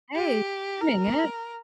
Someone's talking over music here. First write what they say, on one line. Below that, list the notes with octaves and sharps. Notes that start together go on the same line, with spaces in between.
Right doing it.
G4
A#4